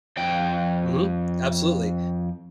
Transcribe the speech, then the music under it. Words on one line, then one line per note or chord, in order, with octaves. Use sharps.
Mhm. Absolutely.
F2 G5